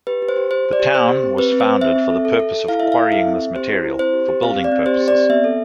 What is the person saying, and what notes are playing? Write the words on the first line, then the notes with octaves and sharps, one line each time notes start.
The town was founded for the purpose of quarrying this material, for building purposes.
G4 B4
G4
C5
G4
G4 C5
G4
D5
G4
G4 C5
G4
C4
C4 B4
C4
C5
C4
C4 E5
C4
A4
A4
A4
A4
E4 F5
E4 E5
F5
E4
A4 E5
C4
C4
G4 C5
E4
E4
C4 C5
G4
G4
C4 F5
C4
D5
C4
G4 C5
G4
D5
C4
B3 E5
A4